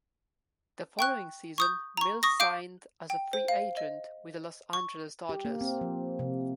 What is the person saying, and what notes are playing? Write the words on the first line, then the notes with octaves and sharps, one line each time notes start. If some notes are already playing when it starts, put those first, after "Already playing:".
The following season, Mills signed as a free agent with the Los Angeles Dodgers.
G5 C#6 F#6
C#6 D#6 G6
A#5 C#6
C#6 D#6 A#6
F5 D6 G6 D7
G5
C5
F5
D#5
C#6
G4
A#3
C4
F3
C3